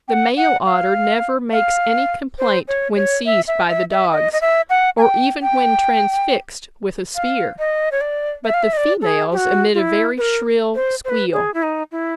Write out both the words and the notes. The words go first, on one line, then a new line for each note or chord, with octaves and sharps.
The male otter never makes any complaint when seized by the dogs, or even when transfixed with a spear, but the females emit a very shrill squeal.
G5
F#5
F#5
F5
F5
C5
C#5
C#5
E5
E5
E5
E5
D#5
D#5
E5
F#5
G#5
G5
G5
F5
D#5
C#5
D5
E5
F5
E5
D#5
D5
A4
G#4
G4
F#4
F4
E4
B4
A#4
C5
C5
B4
G#4
E4
D#4
E4